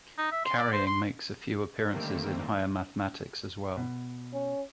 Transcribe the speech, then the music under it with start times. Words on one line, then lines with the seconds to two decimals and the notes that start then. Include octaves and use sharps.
Carrying makes a few appearances in higher mathematics as well.
0.18 D#4
0.32 E5
0.45 C6
0.58 D5
0.73 C5
0.87 C6
1.91 D3 D#3 G3 A3 A#3 C4
3.77 B2
4.33 C#4